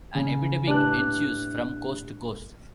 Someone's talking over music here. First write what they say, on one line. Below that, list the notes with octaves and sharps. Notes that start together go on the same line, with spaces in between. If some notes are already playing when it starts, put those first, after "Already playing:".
An epidemic ensues from coast to coast.
C#3
A2 D4 G4 B4 F#6